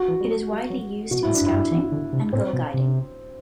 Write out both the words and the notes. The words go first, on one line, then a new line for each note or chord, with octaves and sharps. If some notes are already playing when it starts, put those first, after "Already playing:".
It is widely used in Scouting and Girl Guiding.
Already playing: F#4
E3
G3
F#3
G3
F#3
B2 F#4
A2 E4
D4
F#2
E4
F#2
G2
E3
D3
C3
A2 C4
B2
C3